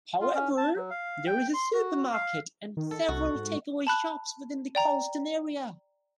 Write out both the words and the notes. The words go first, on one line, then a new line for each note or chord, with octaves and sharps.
However, there is a supermarket and several take-away shops within the Colston area.
F4
C#4
A5
F#3
F5
G5
C6
F#4
F5
D#3
A4
C2 F#4
G#2
A5 B5 F#6
D5 G5 A#5